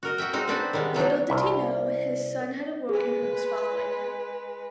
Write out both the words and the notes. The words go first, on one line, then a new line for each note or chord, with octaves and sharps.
Little did he know, his son had awoken and was following him.
F#4 A#4 D#5
F#4 D#5 E5 G5
G#3 C4 D#4 F#4
C4 D4 B4 D#5 F#5
D#3 G3 G#3 B3
E3 F#3 D4 D#4
C2
G#3 G#4 B4